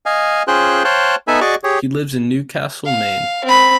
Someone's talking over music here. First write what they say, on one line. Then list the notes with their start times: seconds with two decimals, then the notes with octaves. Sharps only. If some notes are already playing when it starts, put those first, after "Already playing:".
He lives in Newcastle, Maine.
0.06 D#5 F5 G#5
0.48 C#4 F4 G#4 C5 G5 F#6
0.84 C5 C#5 F5 G5 A5 F#6
1.28 B3 D#4 A4 E5 G#5 B5
1.41 F#4 G#4 D5 D#5 C#6 D6
1.64 G4 G#4 C#5
2.86 F5
3.45 C4 B5